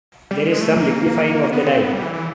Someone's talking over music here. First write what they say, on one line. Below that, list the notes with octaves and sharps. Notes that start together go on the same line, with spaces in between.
There is some liquefying of the dye.
G3
G#3
A3
A#3
B3
C4
B3
G3
E3
E3